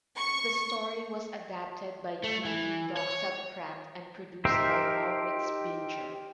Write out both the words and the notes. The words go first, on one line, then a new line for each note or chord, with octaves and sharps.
The story was adapted by B. E. Doxat-Pratt and produced by Maurits Binger.
C#6
A3
E3
C#5
D#4 G4 A#4 C5 E5